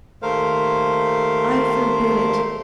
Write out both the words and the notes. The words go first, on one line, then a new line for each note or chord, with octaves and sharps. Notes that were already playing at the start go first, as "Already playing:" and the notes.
I forbid it.
D#2 A3 A#4 C5 F5